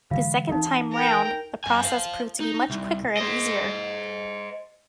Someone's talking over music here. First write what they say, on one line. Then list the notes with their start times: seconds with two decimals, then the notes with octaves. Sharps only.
The second time round, the process proved to be much quicker and easier.
0.11 D3 E3 G#3 F4 F5
0.49 E3 C4 D#4 A4
0.92 A#4 G5
1.64 F#2 G#5
1.84 C5 F5
2.40 D#4
2.70 C2
3.17 C5 D#5